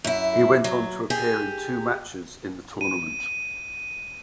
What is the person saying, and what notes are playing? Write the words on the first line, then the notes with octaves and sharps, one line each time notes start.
He went on to appear in two matches in the tournament.
F#2 E4
F#3
G4 G#4
D#7